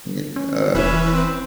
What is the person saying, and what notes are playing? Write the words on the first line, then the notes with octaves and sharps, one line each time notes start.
Y uh,
C#4
E1 E3 C#4 B4 E5
C4